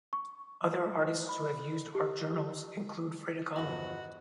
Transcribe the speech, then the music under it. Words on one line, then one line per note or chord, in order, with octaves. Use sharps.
Other artists to have used art journals include Frida Kahlo.
C#6
B5
G4
G1 E2 F3 F#4 D#5 B5